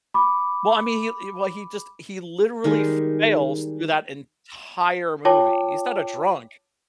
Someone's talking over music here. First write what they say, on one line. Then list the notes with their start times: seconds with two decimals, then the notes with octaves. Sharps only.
Well, I mean, he l he well, he just he literally fails through that entire movie. He's not a drunk,
0.14 B5 D6
2.64 D#3 G3 G#3
5.25 F4 C#5 G5 A5 D6